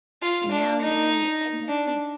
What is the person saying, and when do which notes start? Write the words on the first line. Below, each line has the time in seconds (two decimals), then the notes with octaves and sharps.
And now you're in the field.
0.22 F4
0.52 D4
0.81 D#4
1.68 D4